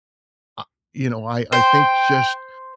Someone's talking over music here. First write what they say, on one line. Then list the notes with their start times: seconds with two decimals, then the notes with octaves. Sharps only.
Ah you know, I I think just
1.52 C5 G5